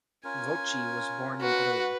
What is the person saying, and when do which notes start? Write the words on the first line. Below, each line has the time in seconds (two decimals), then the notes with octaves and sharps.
Voci was born in Italy.
0.24 C#4 F4 A#4 G#5
1.40 F#4 B4